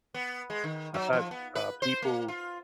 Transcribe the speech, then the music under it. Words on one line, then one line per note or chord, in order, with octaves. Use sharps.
I thought, uh, people
B3
G#3
D#3
F#3
F3
B3
B4
C5
A#3
F4